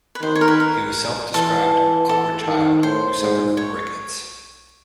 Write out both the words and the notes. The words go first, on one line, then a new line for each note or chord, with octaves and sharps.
He was a self-described "awkward child" who suffered from rickets.
B4
D#3 C5
C#5
A#4
B4
A#4
E3 A4
A4
D#3
A2 C5
G#2
C#5